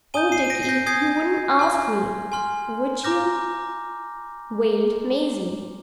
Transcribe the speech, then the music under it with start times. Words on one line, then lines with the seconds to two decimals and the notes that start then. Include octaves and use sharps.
Oh, Dickie, you wouldn't ask me--would you?' wailed Maisie.
0.14 G#5 D#6 G6 D#7 G7
0.32 C7 D#7
0.44 D#7
0.50 A#6 D7
0.63 C7
0.69 G6 A#6
0.86 G#5 D#6 G6 G#6 C7
1.59 G#5 C6 F6
2.32 G#5 C6 F6
3.04 A#5 D6 F6 G6 A#6